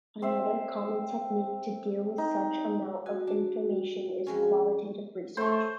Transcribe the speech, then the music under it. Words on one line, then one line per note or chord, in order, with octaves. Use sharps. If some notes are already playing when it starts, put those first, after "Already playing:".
Another common technique to deal with such amount of information is qualitative research.
C4 C5 E5
D#4
F#4 G#5
D4
F2 G#3 C#4
A3 C5 C#6